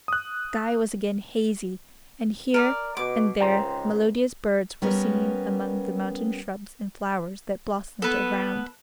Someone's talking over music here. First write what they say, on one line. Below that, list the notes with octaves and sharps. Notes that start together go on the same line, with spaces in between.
The sky was again hazy, and here and there melodious birds were singing among the mountain shrubs and flowers that blossomed around.
D#6 F#6
A#4 D5
B2 D6
C#2 G#2 G5 A#5 C6
G3 B3 C#4 A#4
B3 A4 B4